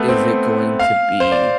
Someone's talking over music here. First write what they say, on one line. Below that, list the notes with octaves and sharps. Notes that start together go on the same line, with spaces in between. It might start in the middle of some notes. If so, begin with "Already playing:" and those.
is it going to be
Already playing: A3 B3
C4
F5
C5
D5